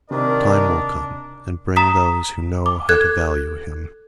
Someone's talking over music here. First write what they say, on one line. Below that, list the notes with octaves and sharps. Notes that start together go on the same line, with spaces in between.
Time will come and bring those who know how to value him.
C3 D#3 D4 A#4 D5
A#5 D#6 B6
D6
A4 F#6 G#6